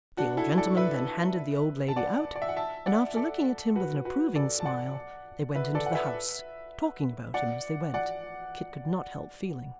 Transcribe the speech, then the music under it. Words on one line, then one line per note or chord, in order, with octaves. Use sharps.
The old gentleman then handed the old lady out, and after looking at him with an approving smile, they went into the house--talking about him as they went, Kit could not help feeling.
D4 F#4
E4 A4
A4 D5
B4 E5
A5
D5 F#5
D5
E5
F#5
E5 A5
D5 F#5
A4 D5
F#4 B4
F#4 B4
A4 D5
A5
D5 F#5
B4 E5
A4 D5
F#5
B4 E5
D5 F#5
D5 F#5